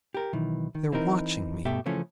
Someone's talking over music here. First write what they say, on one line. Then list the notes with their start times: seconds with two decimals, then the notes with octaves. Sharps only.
They're watching me.
0.14 G4 A#4
0.33 B1 D#3 E3
0.75 D#3
0.92 E3 C4 D#4 A#4
1.65 G2 B2 A3 G4 E5
1.86 C#3 E3 F3 A3 C#4